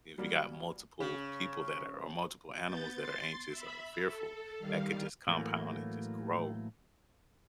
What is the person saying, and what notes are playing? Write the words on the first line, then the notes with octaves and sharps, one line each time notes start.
if you got multiple people that are or multiple animals that are anxious or fearful, that could just compound, and just grow
F#3 G3 A#3
C#3
B3 G6 A6
C6 A6
E5 B5
A4
D#3 G3 F5
A2 D3 E3 F#3 A3 A#3